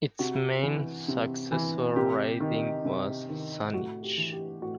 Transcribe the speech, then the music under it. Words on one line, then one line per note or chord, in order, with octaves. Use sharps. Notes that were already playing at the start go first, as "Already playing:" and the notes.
Its main successor-riding was Saanich.
C3 F#4
E3
C3
E3
C3 G4
D#3
C3
D#3
A2 F#4
G4
E3
G4
A2 F#4